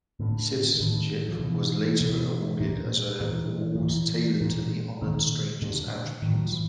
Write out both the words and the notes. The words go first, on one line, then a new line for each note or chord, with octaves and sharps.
Citizenship was later awarded as a reward tailored to the honored strangers' attributes.
A2 D3
D3
A2 D#3
F3
B2 E3
B2
A#2
A#2 E3
F3
A#2 E3
A#2
A#2 D#3
A#2 D3
A2 D#3
F#3
F3
E3